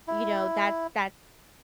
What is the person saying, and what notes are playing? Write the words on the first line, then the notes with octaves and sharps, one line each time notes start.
you know, that's that's
E4